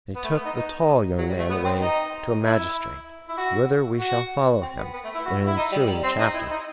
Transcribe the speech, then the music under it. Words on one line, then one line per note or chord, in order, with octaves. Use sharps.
They took the tall young man away to a magistrate, whither we shall follow him in an ensuing chapter.
B3
A3
B3
D#4
D#4
F#3
G3
A3
B3
C4
D#4
E4
E4
F#4
F#4
C4
B3
B3
A3
E4
F#4
E4
D#4
G3
G3
C4
D#4
E4
D#4